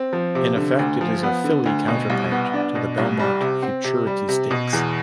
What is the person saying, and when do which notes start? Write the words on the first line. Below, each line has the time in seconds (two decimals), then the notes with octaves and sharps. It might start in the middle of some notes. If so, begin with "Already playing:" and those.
In effect, it is a filly counterpart to the Belmont Futurity Stakes.
Already playing: C4
0.13 F3
0.35 C3
0.56 D3
0.79 D2
1.01 F3
1.23 B3
1.44 D3
1.66 D2
1.88 B2
2.10 C2
2.31 B3
2.54 D4
2.75 B2
2.98 C2
3.19 G3
3.41 C3
3.63 C4
3.84 C3
4.07 G3
4.29 C3
4.51 B2
4.73 E2